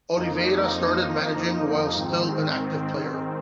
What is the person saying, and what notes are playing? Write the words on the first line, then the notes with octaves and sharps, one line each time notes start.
Oliveira started managing while still an active player.
F2 F3 A#3 D#4
G#2 D#3 C4